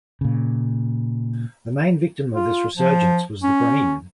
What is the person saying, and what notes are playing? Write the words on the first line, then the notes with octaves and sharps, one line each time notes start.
The main victim of this resurgence was the Green!
A#2 C#3
F4
F3
C#4